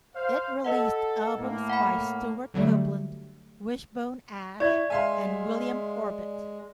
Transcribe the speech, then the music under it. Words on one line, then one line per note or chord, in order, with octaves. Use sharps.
It released albums by Stewart Copeland, Wishbone Ash, and William Orbit.
C5 F5
A4 B4 D#5 F#5
A2 A#3
F#5 G#5 B5
D3 F#3 G3 A3
E4 D5 C#6 G#6
G#3 E5 F5 G#5 C6